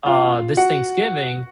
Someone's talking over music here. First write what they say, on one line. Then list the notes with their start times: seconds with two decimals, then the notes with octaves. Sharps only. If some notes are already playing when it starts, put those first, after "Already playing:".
r uh, this Thanksgiving,
0.06 F4 F5
0.57 F#4 F#5